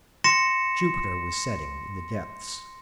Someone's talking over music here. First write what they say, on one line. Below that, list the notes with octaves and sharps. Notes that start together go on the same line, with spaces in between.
Jupiter was setting in the depths.
C6 A#6 C#7 E7